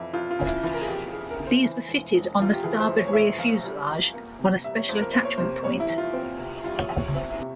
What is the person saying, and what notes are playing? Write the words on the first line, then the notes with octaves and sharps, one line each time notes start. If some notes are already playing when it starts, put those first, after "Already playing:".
These were fitted on the starboard rear fuselage on a special attachment point.
Already playing: F2 E3 E5
F2 F4
F4
C#3
E4
E3 F4
A#4
G#4
F2 G4
F2 G#4
A#4
C#3
C5
E3
E1
E1
E2 F4
G4
E3 G#4
C5
E1
C#5
C#5
E1 E5
E2 F5
G3
F2
A#3
C3
G3 E5
C#5
F2 C5
A#4
A#3 C5
C#5
C3 C5
G3 C#5
E4
E2
F4
C4
C3
G3 F4
C#5
E2
C#5
C4 E5
E5
C3